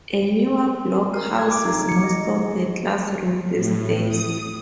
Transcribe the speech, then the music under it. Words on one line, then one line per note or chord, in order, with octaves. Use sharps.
A Newer block houses most of the class rooms these days.
A#4
G#6
D6
D#4
C#7
D#5
A2
D#6